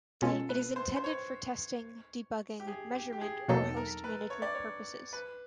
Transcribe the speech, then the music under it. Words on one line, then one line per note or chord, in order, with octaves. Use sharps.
It is intended for testing, debugging, measurement, or host management purposes.
B2 G#3 C#4 F4 A4
B4
C5
C5
C#5
G4
G#4
G4
G4
G#4
E2 B2 F#3 A#3 D#4 A4
A#4
B4
C#5
D5
C#5
B4